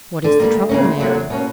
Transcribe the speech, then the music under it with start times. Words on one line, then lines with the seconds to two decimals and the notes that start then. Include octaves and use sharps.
"What is the trouble, Mary?"
0.24 D3
0.39 G3 A#3
0.54 D2
0.69 C#3 E3 A#3 C#4
0.84 D2
0.99 D3 F#3 A#3
1.14 E2
1.30 B2 A#3 C#4